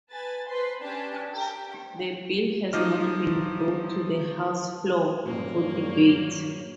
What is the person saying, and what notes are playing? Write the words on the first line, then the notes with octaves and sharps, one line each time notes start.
The bill has not been brought to the House floor for debate.
B4 G#5 A5 A6
B4 C5 C6
C#4 D4 G4 B4 G#5 A5
G4 G5
F3 F#3 D#4 D#5 D6 F6
G2 A#2 C#3 F#3 G#3 A#3 C#5